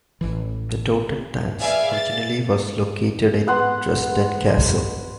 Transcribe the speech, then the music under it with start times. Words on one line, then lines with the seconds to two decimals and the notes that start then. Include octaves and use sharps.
The Totentanz originally was located in Dresden Castle.
0.21 A1 E3
1.60 G#4 B4 D5 E5 F5 G#5
1.95 A6
3.47 B3 F#5 C6